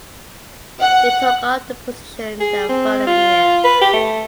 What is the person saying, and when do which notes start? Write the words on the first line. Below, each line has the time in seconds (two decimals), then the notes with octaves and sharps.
He took up the position the following year.
0.81 F#5
2.40 G#4
2.69 C4
3.07 F4
3.64 B4
3.81 G4
3.93 A3